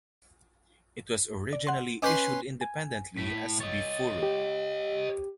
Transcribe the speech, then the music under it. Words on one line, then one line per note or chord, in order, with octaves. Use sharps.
It was originally issued independently as "Bi Furu".
D5
F#5 C6
C#4 B4 D#5 C6 D6 G6
G#5
A2 B6
C#5 D#5 A6
G4